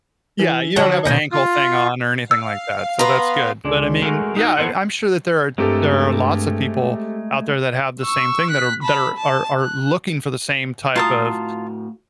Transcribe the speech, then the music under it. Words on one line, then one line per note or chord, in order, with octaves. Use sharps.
Yeah, you don't have an ankle thing on or anything like that, so that's good. But I mean, yeah, I I'm sure that there are there are lots of people out there that have the same thing that are that are are looking for the same type of
E3
D3 F#3 F#4 C#5 A5
B2 D#3 C#4 G6 A#6
F4
F5 E6
B3 B4 A#5 C6
C#2 G#3 D4
G#3 A3 F#4 A#4
D#4 F#4
B3 A4 A#4 C5 F#5
G2 G#3 A3 C4 G4 A4 A#4
C#6 E6
F#6 B6
A5 B5
A5
F#6
A2 F4 F#4 A5 A#5 D#6